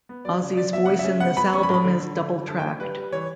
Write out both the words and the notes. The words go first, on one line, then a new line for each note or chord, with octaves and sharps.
Ozzy's voice in this album is doubled tracked.
B3
F#3 D5
C#3
F#3 D5
B2 E5
C#3 F#5
E5
C#4
B3 F#5
B3 B5
C#4 C#6
B5
A2
B5
D3
D3
D3
G3
D3 A5
G5
D3
G3 B4
G3
E3 C#5